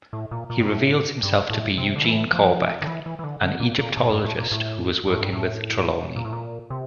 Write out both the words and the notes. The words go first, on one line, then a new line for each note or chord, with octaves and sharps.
He reveals himself to be Eugene Corbeck, an Egyptologist who was working with Trelawny.
A2
A#2
A#2
G2
A2
G2
A2
C3
D3
E3
F3
D3
E3
E3
E3
D3
D3
A#2
A#2
A2
G2
A2
A#2
A2
G2
A2
G2
A2
A#2
A2
A#2
C3